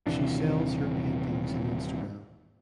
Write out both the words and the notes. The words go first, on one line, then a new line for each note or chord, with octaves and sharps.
She sells her paintings in Instagram.
D#1 C3 E3 D4